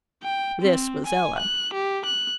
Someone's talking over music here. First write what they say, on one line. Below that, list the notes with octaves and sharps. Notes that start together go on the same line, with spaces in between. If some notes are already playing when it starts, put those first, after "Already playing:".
This was Ella.
G5
C4
G#5
F#6
G4
F#6